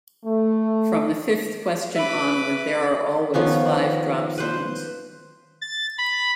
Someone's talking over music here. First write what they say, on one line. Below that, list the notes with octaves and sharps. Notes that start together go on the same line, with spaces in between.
From the fifth question onward, there are always five drop zones.
A3
B4 E5 B5 D6
D#3 F3 B3 C#4
B4 C5
A6
B5